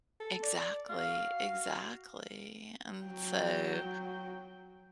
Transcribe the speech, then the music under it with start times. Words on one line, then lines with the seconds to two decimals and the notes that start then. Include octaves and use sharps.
Exactly, exactly. And so,
0.20 A4
0.43 D5
0.90 F#4 F5
3.04 F#3 G5